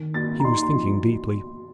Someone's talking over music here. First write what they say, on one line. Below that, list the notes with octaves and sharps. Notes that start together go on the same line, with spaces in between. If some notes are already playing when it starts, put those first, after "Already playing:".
He was thinking deeply.
Already playing: D#3
A#3 A6
A#5
D#4 C6
C6
F3